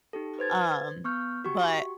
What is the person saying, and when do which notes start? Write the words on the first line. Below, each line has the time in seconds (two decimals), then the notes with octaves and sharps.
um but,
0.13 D#4 G4 A4
0.39 B4 C5 G#6 A6
1.04 B3 C#6 F6 G6
1.44 F#4 G4 C#6